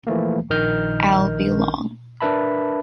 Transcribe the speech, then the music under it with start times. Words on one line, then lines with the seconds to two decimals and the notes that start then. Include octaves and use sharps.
I’ll be long.
0.07 E3 F3 A3 A#3
0.50 A#1 D#3 A#4 D#5 F6 G6
2.21 D4 A#4 B4 E5 A5 B5